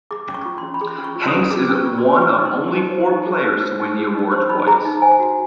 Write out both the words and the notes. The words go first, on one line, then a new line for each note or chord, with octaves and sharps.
Hanks is one of only four players to win the award twice.
G#4 D6
C#4 D6
C#6
F4
C6
C#4
B5
G#4 C6
C#4
C#6
F4
D#6
C#4
G#4 D6
C#4
C#6
F4
C6
C#4
C5 C#6
D#4
C6
G#4
C6
D#4
C5
D#4
G#4
D#4
C5
D#4
G#4
D#4
C5 C6
D#4 B5
G#4 A#5
D#4
C5 G#5
F#4